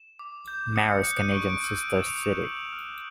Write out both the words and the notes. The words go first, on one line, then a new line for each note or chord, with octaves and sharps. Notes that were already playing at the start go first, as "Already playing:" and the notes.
Marie's Canadian sister city.
Already playing: E7
D6
G6
D#6 C#7
F#6 C#7
D#7
C#6 D7
C#7
D7
E6 G6
D#7
D#6
E7
F7
F#6
E7
D6 F#7
F6